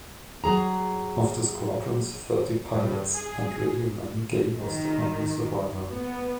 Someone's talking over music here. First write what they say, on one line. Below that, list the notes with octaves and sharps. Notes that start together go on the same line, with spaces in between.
Of the squadron's thirty pilots and radiomen, Gay was the only survivor.
F#3 G#4 A#5
G2
G#4
D#3
B3